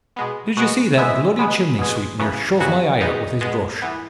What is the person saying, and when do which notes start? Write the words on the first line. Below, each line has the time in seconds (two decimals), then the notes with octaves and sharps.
Did you see that bloody chimneysweep near shove my eye out with his brush?
0.16 B2 G#3 B3
0.57 B2 G#3 B3 F#4 F#5
0.98 B2 G#3 B3 E4 E5
1.39 B2 G#3 B3
1.78 B2 G#3 B3
2.19 F#2 C#3 E3 B3
2.60 F#2 C#3 E3 F#3 B3 F#4
3.00 B2 G#3 B3 D#4
3.41 B2 G#3 B3
3.82 E3 B3